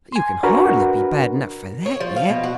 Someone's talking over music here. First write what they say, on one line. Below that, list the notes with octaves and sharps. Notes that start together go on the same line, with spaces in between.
But you can hardly be bad enough for that yet.
G#5 C6
D4 F#4 A#4 B4
C#5
F3
F5
B2
F#4